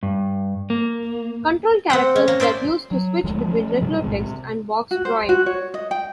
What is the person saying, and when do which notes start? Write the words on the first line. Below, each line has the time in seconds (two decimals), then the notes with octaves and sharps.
Control characters were used to switch between regular text and box drawing.
0.03 G2
0.70 A#3
1.90 C4 F#5 G5
2.16 C#4
2.28 A#3
2.40 C5 D5 E5 G5 C6
2.91 F#3
3.24 D2 D3 F3 G#3
3.48 F3 A3 C#4
3.81 G2 C3 F3 G3
4.04 B1 A2 C3 G#3
4.22 C3
4.91 F#4
5.05 C5
5.29 F#4
5.46 C#5
5.74 D#5
5.91 G5